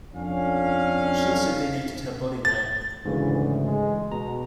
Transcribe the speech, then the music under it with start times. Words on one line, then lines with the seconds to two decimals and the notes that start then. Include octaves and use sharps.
She also donated her body there.
0.14 F2 C#4 D4 F5
2.45 A6
3.05 D2 G#2 C#3 E3
3.65 G#3
4.12 B2 A#5